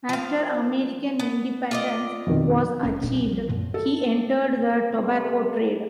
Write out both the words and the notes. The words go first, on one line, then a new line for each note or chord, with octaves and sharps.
After American independence was achieved, he entered the tobacco trade.
F3 F5
B3
F4 D5 D#5
F2 B2 D#3
F1 G2 A3 C#4
E1 A#1 A#2 D4
B1
F3 G3
F#2 A#2 D3 E3
A4
C3 G3 A#3 A4 B4